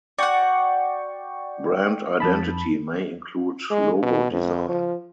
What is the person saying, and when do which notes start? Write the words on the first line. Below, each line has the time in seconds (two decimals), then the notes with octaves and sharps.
Brand identity may include logo design.
0.18 F#4 D5 F#5 G5 C#6
2.20 F2 A5 B5
3.70 G#3
4.03 B2
4.31 F2
4.69 F3